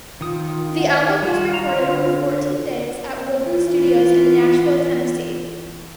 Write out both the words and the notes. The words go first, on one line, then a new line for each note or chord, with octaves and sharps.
The album was recorded over fourteen days at Woodland Studios in Nashville, Tennessee.
D#3 F4 D#6
F#5
G3 F4 F#4
A#5
D3
E3 F4